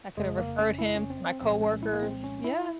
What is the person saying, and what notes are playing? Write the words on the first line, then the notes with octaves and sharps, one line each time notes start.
I could have referred him to my coworkers yeah,
G1 F2 C#3 G#3
A#3
C#4
E4
C#4
C4
C4
C2 A#2 F3 G#3 C4
C#4
E4
A#3
C4
C#4
E4